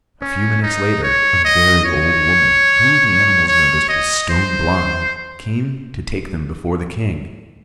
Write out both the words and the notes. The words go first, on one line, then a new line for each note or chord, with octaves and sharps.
A few minutes later, a very old woman, who, the animals noticed, was stone-blind, came to take them before the king.
C#4
D#4
C#5
D#5
C#5
C#5
D#5
C5